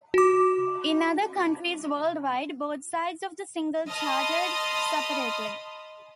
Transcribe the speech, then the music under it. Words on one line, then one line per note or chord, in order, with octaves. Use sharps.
In other countries worldwide, both sides of the single charted separately.
F#4 D6
D#5 A5 B5 C6 D#6 F6